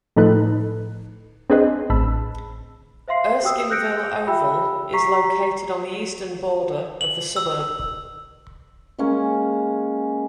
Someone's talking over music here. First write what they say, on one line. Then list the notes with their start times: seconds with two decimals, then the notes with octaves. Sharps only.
Erskineville Oval is located on the eastern border of the suburb.
0.16 A2 F3 D#4 A4 B4 F#6
1.50 C4 D4 G#4 B4 C5 D#5
1.90 A1 A5 B5 E6
3.08 C5 E5 F5 C6 C7
3.42 F#4 G4 C5 G5 D#6 E6
3.70 F#6 G6 A#6 C#7 D7
4.27 F4 G4 E5 G5 B5 E6
4.93 G4 A#5 C#6 B6 C7
7.01 F#7
7.36 E6
8.98 G#3 A#3 C#4 G#4